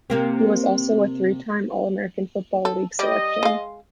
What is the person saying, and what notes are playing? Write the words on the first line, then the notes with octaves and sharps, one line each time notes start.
He was also a three-time all-American Football League selection.
C3 A#3 C4
A4
G3 G4 D5 D#5
G#3 F5